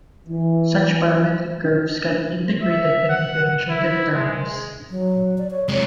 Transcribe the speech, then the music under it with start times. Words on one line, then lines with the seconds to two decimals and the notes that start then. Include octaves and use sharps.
Such parametric curves can then be integrated and differentiated termwise.
0.26 E3
2.62 E5
3.09 F#5
3.69 E4
4.14 G#3
4.91 F#3
5.38 D5
5.51 C#5
5.69 C3 G#3 C#5